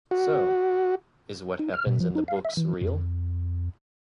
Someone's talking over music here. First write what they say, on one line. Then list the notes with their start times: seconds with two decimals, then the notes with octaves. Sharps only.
So: is what happens in the books real?
0.11 F#4
1.59 D#4
1.74 F6
1.87 B2
2.00 F3
2.15 D#4
2.28 F5
2.45 E5
2.57 E3
2.81 F2